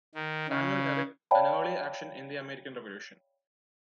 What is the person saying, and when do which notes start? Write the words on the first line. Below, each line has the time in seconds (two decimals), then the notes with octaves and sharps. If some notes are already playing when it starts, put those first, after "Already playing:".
Samuel Herrick, an early action in the American Revolution.
0.15 D#3
0.49 C#3
1.31 C#5 D5 F5 G5 A5 B5